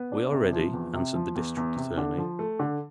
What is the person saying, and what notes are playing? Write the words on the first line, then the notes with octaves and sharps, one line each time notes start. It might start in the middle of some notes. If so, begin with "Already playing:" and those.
"We are ready," answered the District Attorney.
Already playing: B3
D4
C3
F3
E2
C3
F3
E2
E2
C3
D3
F3
A3
D3